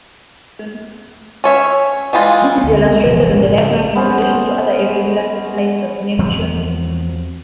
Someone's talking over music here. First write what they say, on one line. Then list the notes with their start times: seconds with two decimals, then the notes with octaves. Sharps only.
This is illustrated on the diagram in relation to other irregular satellites of Neptune.
1.44 C#4 C#5 E5
2.13 E3 G3 G#3 F4
2.64 D2
2.85 C#3 G#3 A3 B3
3.04 F#1 B2 E3 F3
3.29 A#1 G#2 C#3 F3
3.95 B3 C#4 C5
6.19 E2 F3 F#3 C4